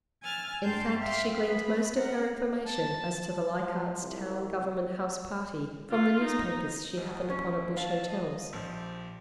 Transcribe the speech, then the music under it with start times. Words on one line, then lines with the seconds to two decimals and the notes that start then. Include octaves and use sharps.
In fact, she gleaned most of her information as to the Leichardt's Town Government House Party from the newspapers she happened upon at bush hotels.
0.22 G#5 E6 F6 A6
0.62 G2 G5 A5 C6 G6
0.97 E5 F5 G5 C6 F6
1.35 G#4 B4 B5
1.95 A#4 F#5
2.65 A5
3.60 F3
4.03 C2
5.91 F4
6.24 D#4
6.97 D#2 D#5
7.30 C#4 E4
7.77 F5 A5
8.07 D#5
8.53 A#1 F3 G4